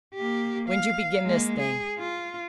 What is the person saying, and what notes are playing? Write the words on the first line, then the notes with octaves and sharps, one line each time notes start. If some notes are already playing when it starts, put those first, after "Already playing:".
"When'd you begin this thing?"
A#3 G4
F5
G#3 A#3
G#4
F4